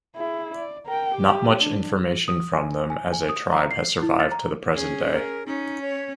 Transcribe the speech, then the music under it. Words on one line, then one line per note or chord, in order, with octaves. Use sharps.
Not much information from them as a tribe has survived to the present day.
E4 G#4
D5
A#4 G5
G4
D4
D#6
G#5
G#5
G#5
D#6
A#5
C7
E4
A6
A#5
C#4 G#4
A#4
C#4 D#4
C#5